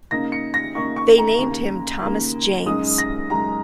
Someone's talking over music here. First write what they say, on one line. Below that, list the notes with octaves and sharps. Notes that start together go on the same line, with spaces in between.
They named him Thomas James.
C#3 A#3 D#4 A#6
C#7
A#6
C#3 A#3 D#4 C#6
C#6
A#5
D#2 C#3 A#3
D#2 C#3 A#3
F#2 C#3 G#3 D#4 D#6
A#6
F#2 C#3 G#3 D#4 A#5